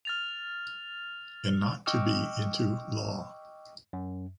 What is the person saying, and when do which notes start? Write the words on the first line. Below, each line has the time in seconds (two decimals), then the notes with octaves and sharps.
And not to be into law.
0.05 F6 A6 F7
1.86 D#5 G5 C#6 D6 E6 F6
3.93 F#2